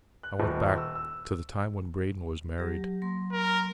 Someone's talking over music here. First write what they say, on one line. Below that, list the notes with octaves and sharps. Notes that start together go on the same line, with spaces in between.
I went back--to the time when Braden was married.
F#6
D#1
E6
E6
F#3 G4
F#3 A#3 C6
A#4